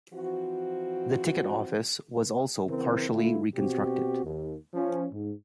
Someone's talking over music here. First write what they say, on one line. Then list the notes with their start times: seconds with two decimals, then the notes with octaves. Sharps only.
The ticket office was also partially reconstructed.
0.13 E3 F3 C4 F#4
2.67 C#3 E3 C4 A#4
3.09 D3 A3 E4 F4
3.55 B2 C4 F#4 G4
4.24 D#2
4.74 F3 C#4
5.13 G#2